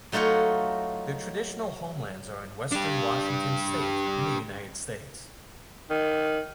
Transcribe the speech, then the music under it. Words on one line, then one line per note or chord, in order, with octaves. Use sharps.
Their traditional homelands are in western Washington state in the United States.
F#3 A3 D#4 F4 F#4 C#5
D4 G4
D#3